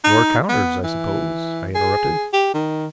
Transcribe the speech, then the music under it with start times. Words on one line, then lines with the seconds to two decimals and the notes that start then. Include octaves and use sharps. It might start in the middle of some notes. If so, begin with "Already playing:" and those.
"Nor counters, I suppose," I interrupted.
0.04 D#4
0.49 B3
0.84 E3
1.75 G#4
2.33 G4
2.54 D#3